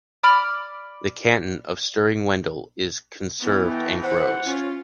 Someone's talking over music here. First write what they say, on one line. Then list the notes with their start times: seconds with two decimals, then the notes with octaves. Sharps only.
The canton of Stiring-Wendel is conserved and grows.
0.23 D5 B5 D6 F6
3.40 E3 B3
3.69 A3 D#5 G5
4.02 C5 F#5
4.45 C#4 F4